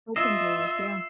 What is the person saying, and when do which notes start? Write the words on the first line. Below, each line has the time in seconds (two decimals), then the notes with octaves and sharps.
Open doors, yeah.
0.16 F4 D#5 E5 E6 C7 E7